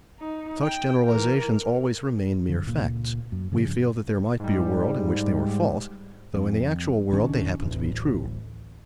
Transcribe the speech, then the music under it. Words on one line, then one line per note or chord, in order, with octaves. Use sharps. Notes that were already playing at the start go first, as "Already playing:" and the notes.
Such generalizations always remain mere facts: we feel that there might be a world in which they were false, though in the actual world they happen to be true.
D#4
G5
E3 A#4
F#2 D3
C#2 A#2 A#3
F#2
G2 C#3 F3
G#2 G3
F2
A#1 D#3 C#4 D4
D1 A1